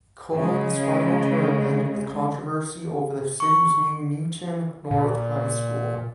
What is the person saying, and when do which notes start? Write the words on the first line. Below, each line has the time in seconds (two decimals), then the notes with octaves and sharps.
Cohen's final term ended with controversy over the city's new Newton North High School.
0.34 C#3 G#3
3.40 C#6
4.91 A#2